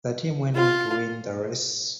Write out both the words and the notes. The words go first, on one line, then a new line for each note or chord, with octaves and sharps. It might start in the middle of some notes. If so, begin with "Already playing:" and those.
The team went on to win the race.
F4